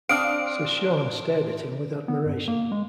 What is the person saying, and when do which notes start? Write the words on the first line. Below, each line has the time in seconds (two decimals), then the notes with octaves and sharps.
Sir Sean stared at him with admiration.
0.09 C4 D4 F5 D#6 F6 D7
2.08 B3
2.26 G2
2.48 A#3
2.72 G#3